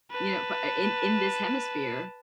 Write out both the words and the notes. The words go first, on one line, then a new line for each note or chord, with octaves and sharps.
you know f in in this hemisphere.
B4 A5